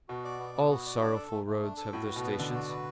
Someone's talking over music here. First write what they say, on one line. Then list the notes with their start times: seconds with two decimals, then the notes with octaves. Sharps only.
All sorrowful roads have their stations.
0.09 B2 F#4
0.24 D5
0.39 B3
0.55 B3
0.71 F#4
0.86 D5
1.01 D4
1.16 A4
1.32 A3
1.46 A3
1.62 D4
1.77 A4
1.92 A2 F#4
2.08 B4
2.16 B2
2.24 B3
2.39 D3 D5
2.55 F#4
2.70 B4